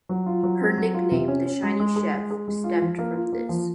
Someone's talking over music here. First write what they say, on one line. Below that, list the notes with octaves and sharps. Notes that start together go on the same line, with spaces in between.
Her nickname, the "Shiny Sheff", stemmed from this.
F#3
F4
F#3
C4
F#3
F4
C3
C#4
C#4
G#3
G#3
G#4
G#3
G#4
G#3
F4
F3
A#3
F4
A#3
F3